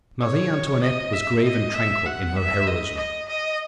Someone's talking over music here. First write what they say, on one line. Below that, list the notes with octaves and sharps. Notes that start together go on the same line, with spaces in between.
Marie Antoinette was grave and tranquil in her heroism.
C#5
D#5
E5
D#5
E5
F#5
E5
D#5
D#5
D#5